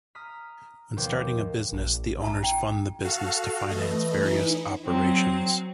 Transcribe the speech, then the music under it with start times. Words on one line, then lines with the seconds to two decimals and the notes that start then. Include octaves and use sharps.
When starting a business, the owners fund the business to finance various operations.
0.15 A#5 D#6 F6 B6
0.97 D#2 B2 F3 G5 D6
1.73 A#1
2.22 E5 A5 A#5
2.44 G5
3.04 F#4 A4 F5
3.69 E3 A3 D#5
4.22 D#4 E4
4.84 F#3 C4